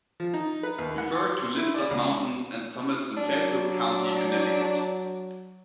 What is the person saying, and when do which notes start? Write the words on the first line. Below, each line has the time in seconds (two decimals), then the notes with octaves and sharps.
Refer to List of Mountains and Summits in Fairfield County, Connecticut.
0.20 F3
0.34 D#4
0.63 B4
0.78 D#2
0.98 F#5
1.15 C6
1.42 C6
1.57 E4
1.74 D5
1.91 C#2
3.17 F#3 D4